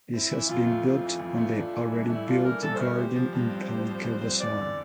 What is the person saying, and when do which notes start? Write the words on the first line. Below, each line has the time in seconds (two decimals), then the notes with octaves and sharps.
This has been built on the already built garden in Palika Bazaar.
0.13 C4 E4
0.32 E3
0.48 F2 F4
0.66 A3
0.85 C4 F4
1.02 E3
1.20 F2 F4
1.37 A3
1.55 D4 F4
1.74 E3
1.91 G2 E4
2.02 D4
2.09 A3 E4
2.27 D4 F4
2.44 E3 A#4
2.62 G2 A4
2.75 C5
2.79 A3 A#4
2.98 G4 C5
3.15 F3
3.33 G2
3.51 C4
3.68 G4
3.86 F3
4.04 G2
4.22 C4
4.40 E2 D5
4.58 D3